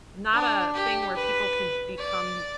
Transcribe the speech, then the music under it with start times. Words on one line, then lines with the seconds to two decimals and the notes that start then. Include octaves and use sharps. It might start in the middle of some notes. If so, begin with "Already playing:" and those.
not a thing where people can become
0.33 D4
0.75 G4
1.16 B4
1.99 D5